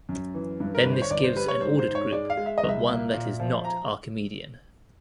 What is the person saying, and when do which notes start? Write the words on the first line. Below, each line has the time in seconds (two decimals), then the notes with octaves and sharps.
Then this gives an ordered group, but one that is not Archimedean.
0.09 F#2
0.34 E3
0.60 G2
0.75 A#4
0.84 G1 B4
0.93 C5
1.02 C#5
1.10 G1 D5
1.23 C5
1.36 G3 B4
1.48 C#5
1.62 G#2 C5
1.78 C5
1.88 G#2
1.95 C#5
2.12 G#3 D5
2.30 F5
2.37 G#3
2.46 E5
2.58 D#5
2.63 C2
2.69 E5
2.89 A#3
3.14 A#2
3.40 F3
3.65 A#5